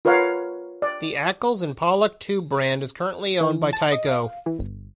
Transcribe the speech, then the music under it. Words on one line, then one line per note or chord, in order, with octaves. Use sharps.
The Accles and Pollock tube brand is currently owned by Tyco.
F4 A#4 B4 C#5 F5 F#5
D5
E3
A5
D#5
F5
E3
G1